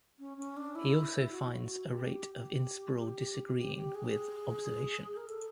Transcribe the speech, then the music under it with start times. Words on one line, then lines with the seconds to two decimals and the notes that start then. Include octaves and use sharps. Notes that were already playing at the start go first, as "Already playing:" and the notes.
He also finds a rate of inspiral disagreeing with observation.
0.19 C#4
0.37 C#4
0.57 D4
0.75 E4
1.32 F#4
1.60 F#4
1.88 G4
3.58 G4
3.76 G4
3.95 G#4
5.17 A#4
5.27 A4